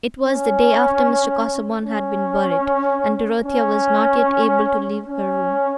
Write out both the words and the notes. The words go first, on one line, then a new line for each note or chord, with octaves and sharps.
It was the day after Mr. Casaubon had been buried, and Dorothea was not yet able to leave her room.
C#4
C#4
C#4
C#4